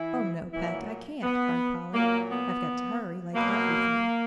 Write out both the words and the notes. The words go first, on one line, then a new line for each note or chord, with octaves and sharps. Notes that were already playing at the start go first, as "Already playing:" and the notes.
"Oh, no. Pet, I can't," cried Polly, "I've got to hurry like everything!"
Already playing: E3 E4
A#2 E3 F#3 E4
B3
A#2 F#3 A#3
B3
B2 F#3 A#3